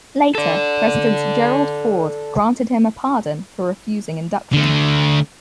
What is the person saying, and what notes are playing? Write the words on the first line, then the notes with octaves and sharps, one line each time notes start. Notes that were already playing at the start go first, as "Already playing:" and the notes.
Later, President Gerald Ford granted him a pardon for refusing induction.
A4 D5
D3 A3